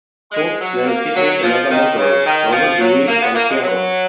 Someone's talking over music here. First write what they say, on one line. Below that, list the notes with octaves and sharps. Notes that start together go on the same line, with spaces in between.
Cook then kidnapped another motorist, Robert Dewey, from Seattle.
G#3
F#3
A#3
F#3
F3
D#3
C#3
D#3
F3
F#3
A#3
B3
A#3
G#3
F#3